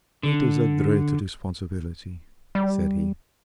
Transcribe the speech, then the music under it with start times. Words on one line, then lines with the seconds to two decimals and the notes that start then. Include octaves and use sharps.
"It is a great responsibility," said he.
0.23 D3
2.55 G3